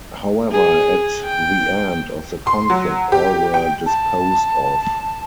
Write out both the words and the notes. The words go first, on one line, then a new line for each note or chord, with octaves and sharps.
However at the end of the conflict all were disposed of.
G#4
G5
C6
F#3
G4
G5
A5